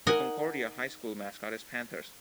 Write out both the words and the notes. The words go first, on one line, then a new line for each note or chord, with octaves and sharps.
The Concordia High School mascot is Panthers.
D#4 A#4 D#5 F#5 G#5